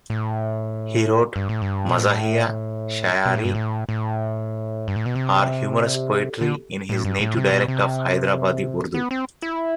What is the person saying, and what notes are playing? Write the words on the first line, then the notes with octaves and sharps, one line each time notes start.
He wrote "mazahiya shayari" or humorous poetry in his native dialect of Hyderabadi Urdu.
A2
G2
A2
G2
B2
A2
B2
A2
G2
A2
A2
G2
A2
B2
C3
D3
A2
G2
A2
C3
B2
C3
B3
C4
E4